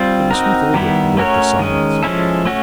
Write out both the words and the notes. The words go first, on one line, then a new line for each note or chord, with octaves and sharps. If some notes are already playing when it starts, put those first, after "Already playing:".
It was Smith-Oldwick who broke the silence.
Already playing: G3 C4 F4
C4 D#4 F#4 A#4
D#3 G3 B3 E4
A3 C#4 F#4 A#4 C#5
D#3 G#3 C#4
F3 G#3 C#4 E4 A4
A3 C#4 F#4